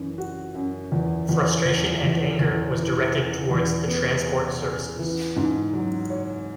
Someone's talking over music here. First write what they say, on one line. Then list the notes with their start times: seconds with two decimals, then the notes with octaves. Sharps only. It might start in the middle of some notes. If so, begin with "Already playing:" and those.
Frustration and anger was directed towards the transport services.
Already playing: F#2 E3
0.18 F#4
0.55 F#2
0.92 E2
1.29 E2
1.66 E2
2.03 E2
2.40 E2
2.77 E3
3.14 E3
3.51 E2
3.88 B3
4.25 G#4
4.62 G#4
4.99 E3
5.36 G#2
5.73 F#3
6.10 C#5